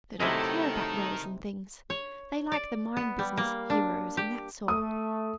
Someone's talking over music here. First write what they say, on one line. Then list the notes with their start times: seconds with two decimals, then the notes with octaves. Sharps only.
'They don't care about rows and things; they liked the mine business, heroes, and that sort.
0.20 C3 D#3 F#3 A3 D#4 E4 A4 D#5
1.90 C#5
2.52 D5
2.97 B3
3.19 G3
3.37 A#3
3.70 D4
4.17 G4
4.68 A3 D#6